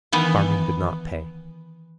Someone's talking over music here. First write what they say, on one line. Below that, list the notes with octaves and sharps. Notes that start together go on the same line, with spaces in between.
Farming did not pay.
D#3 E3 B3